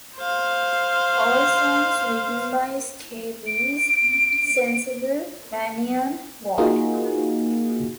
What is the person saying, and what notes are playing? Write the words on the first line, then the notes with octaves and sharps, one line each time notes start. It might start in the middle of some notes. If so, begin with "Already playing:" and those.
All songs written by Scabies, Sensible, Vanian, Ward.
C5 F5
D7
A#3 D#4 F4 F#4 G#4 A#4